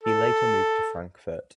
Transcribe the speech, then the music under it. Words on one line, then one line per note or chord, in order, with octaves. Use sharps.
He later moved to Frankfurt.
A4